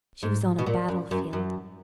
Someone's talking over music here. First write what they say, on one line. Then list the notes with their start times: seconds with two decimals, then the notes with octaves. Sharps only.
She was on a battlefield.
0.23 G#2
0.59 B2
0.66 A#2
0.88 F#2
1.11 F#2
1.33 F#2